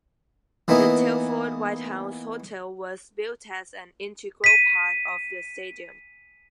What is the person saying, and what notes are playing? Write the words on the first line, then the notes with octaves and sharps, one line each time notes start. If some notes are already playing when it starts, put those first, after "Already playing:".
The Telford Whitehouse Hotel was built as an integral part of the stadium.
E3 A#3 B3 D#4 E4
B6 D#7